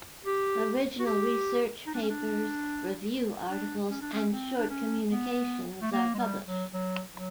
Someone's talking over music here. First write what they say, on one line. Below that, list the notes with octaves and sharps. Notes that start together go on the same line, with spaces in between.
Original research papers, review articles and short communications are published.
G4
F#4
G4
D#4
D4
C#4
D4
D4
C#4
D4
C#4
C4
D4
C#4
B3
A3
A#3
G#3
G3
F#3
F#3
F#3